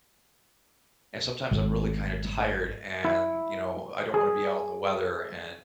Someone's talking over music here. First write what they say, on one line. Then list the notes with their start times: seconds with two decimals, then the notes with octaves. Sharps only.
And, sometimes, I'm really, kinda, tired and, you know, I don't wanna be out in the weather, and,
1.51 G#1
3.05 E4
4.14 G#4